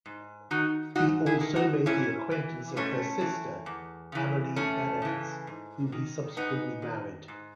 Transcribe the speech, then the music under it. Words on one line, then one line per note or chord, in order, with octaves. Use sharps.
He also made the acquaintance of her sister, Amelie Behrens, whom he subsequently married.
G#2
D#3 D#4 F#4
G#2 D#4 F#4
E4 G#4
D#3
D#4 F#4
G#2 C#4 E4
E3
G#2 A3 C#4
E3
E2
C#3 E3
E2 A3 C#4
C#3 E3
G#2
D#3
G#2 B3 D#4
D#3
G#2